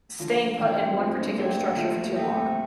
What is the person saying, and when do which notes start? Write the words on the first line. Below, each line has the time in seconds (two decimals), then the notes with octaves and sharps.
staying put in one particular structure for too long?
0.19 D3 F3 F4
0.59 E3 A#4 D5 G5
0.79 A3 C4
0.98 A3 C4 F4
1.17 A#3 D4
1.37 A3 C4 A#4 D5 G5
1.57 G3 A#3
1.76 F3 A3 F4
2.02 G3 A#3
2.16 A4 E5 G5
2.28 A3 C4